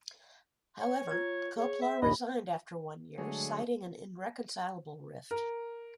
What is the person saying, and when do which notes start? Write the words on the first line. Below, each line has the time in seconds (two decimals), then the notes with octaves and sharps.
However, Koplar resigned after one year, citing an irreconcilable rift.
0.80 C#5
1.11 F4 G#6
1.56 G#4 C#5
1.82 E5
2.02 A#1 D#2 D#5 B5
3.18 D3 F#3 G#3 A3 G#4 C#5
5.31 A#4